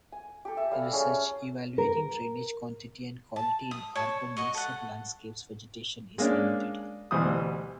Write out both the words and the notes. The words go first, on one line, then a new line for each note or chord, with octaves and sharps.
Research evaluating drainage quantity and quality in urban mixed landscapes vegetation is limited.
G#5
G4 A4
E5
G3 F5
A3 C#4 G#4
A#4
A5
D#6
C#5 A5
F#4 D#5 C#6
A4 F#5
G#3 A#3 C#4 D4
D2 B2 E3 G3 C5 D#6